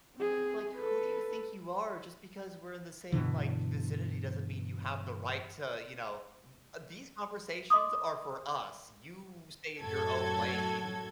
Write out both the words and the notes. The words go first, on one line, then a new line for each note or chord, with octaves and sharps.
Like, who do you think you are? Just because we're in the same, like, vicinity doesn't mean you have the right to, you know, m uh, these conversations are for us. You stay in your own lane.
C4 G#4
A4 B4
G2 B2 D3 E3
D#5 C6 D6 D#6
F#2 A2 F#4 A4 G#6